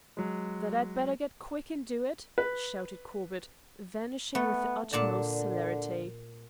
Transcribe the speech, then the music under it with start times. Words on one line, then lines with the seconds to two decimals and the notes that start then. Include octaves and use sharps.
"That I'd better get quick and do it," shouted Corbett, vanishing with the utmost celerity.
0.17 F#3 G#3
2.38 B4
4.35 A3 B3
4.93 A#2 D3 D5 A5